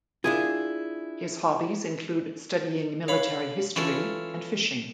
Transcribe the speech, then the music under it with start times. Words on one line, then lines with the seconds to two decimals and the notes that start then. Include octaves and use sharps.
His hobbies include studying military history and fishing.
0.24 D4 E4 F4 G#4
3.08 C#5 F5 B5
3.76 E3 C#4 F4 A4